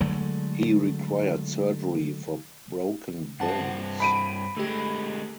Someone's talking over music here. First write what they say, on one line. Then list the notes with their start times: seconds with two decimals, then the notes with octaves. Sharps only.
He required surgery for broken bones.
0.01 D3 F#3 G#3 A3
3.40 G2 C4 F#5 A5
4.00 B5 D7 D#7
4.57 D3 G#3 A3 G4